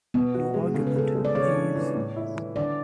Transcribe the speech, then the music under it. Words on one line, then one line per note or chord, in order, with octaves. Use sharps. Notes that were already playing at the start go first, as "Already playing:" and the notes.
No argument, Jeeves.
B2 B3
F#4
G#3
C#3 A4
B4
C#3 A4
G#3
D5
C#3 C#5
D4
E3
A2
E4
E3
D3 D5